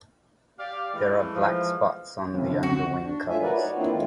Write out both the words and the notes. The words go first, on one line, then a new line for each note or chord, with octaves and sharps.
There are black spots on the underwing covers.
G4 D5 F5
E3 G#3 A3
F3
G1 C2 C4
D3
C#2 D3 C4 F#4 A#6 C#7
D4
G#2 F#3 A3 F4 E5 G#5
F#4 A#4 B4 D5
D#4 F#4 C#5 D5
E3 A#3 C4 D4 E4 F4
F2 A2 D#3 G#3 F4